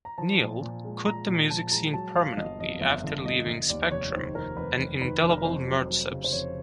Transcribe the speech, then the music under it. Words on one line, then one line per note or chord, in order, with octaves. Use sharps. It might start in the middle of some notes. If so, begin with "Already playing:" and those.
Neale quit the music scene permanently after leaving Spectrum and Indelible Murtceps.
A#5
F3 A5
A#2
A#2
G#3
G#3 A#5
A#2 A#5
F3 A5
G#3 A#5
F#3 A5
G1 F5
G1 D#5
F2 D#5
G1 E5
D3
G1 D#5
G1
D#2 D5
F1 C#5
D#3 C5
D#3 A#4
F1 B4
F1
D#3 B4
F1
A#4
B4
F2 C5
F#3
F#3
C#3
C5
F2 C#5